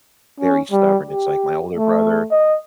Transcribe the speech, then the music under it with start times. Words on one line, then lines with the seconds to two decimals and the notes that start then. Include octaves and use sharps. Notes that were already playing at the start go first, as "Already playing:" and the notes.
very stubborn, it's like my older brother
0.40 C#4
0.72 G3
1.11 G4
1.77 A3
2.31 D#5